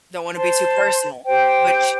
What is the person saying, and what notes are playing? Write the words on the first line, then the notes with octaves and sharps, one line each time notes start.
don't wanna be too personal, but she
C5 A5 C6
G4 C5 G5